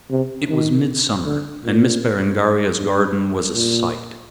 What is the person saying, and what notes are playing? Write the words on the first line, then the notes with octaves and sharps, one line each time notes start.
It was midsummer, and Miss Berengaria's garden was a sight.
C3
D#3
D3
A#2
G2
A#2